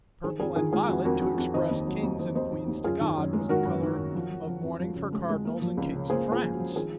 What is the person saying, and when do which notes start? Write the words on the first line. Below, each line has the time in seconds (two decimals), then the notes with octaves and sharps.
Purple and violet, to express "kings and queens to God," was the color of mourning for cardinals and kings of France.
0.24 D#3 G#4 C5
0.40 F2 F4 G#4
0.56 D#3 F4 G#4
0.73 G#3 F4 G#4
0.89 F2 F#4
1.05 F2 F#4 A#4
1.22 F2 F#4
1.38 F2 F#4
1.54 D#3 C5 D#5
1.71 D#2
1.87 F#3
2.03 D#2
2.19 D#2 C5 D#5
2.35 D#2 C5 D#5
2.52 D#3
2.68 D#2
2.84 F#2 F4 G#4
3.01 D#3
3.17 F#2
3.33 G#3
3.49 D#3 F#4 A#4
3.65 F#2
3.83 D#3
3.98 D#3
4.15 F3
4.31 F3
4.47 F3
4.63 F2
4.80 F3
4.96 C#3
5.13 G#3
5.29 G#3
5.45 A#3
5.62 F3
5.77 C#2
5.94 C#3
6.10 A#3 G#4 C5
6.27 A#3
6.32 F4 G#4
6.43 F3
6.53 F#4
6.59 F3
6.75 D#3 F4 G#4